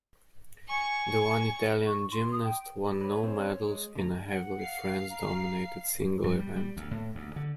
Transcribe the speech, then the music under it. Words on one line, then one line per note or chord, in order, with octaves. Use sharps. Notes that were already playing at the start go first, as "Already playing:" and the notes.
The one Italian gymnast won no medals in a heavily France-dominated single event.
G#5 C#6
C#6
C6
D#6
G5
G3
B4 C#5
C4 C#4 C5
G#3
D3 F3 A3 A#5
F#5
F5 C7
A#5
G2
G3
G3
D2
A2
D2
D3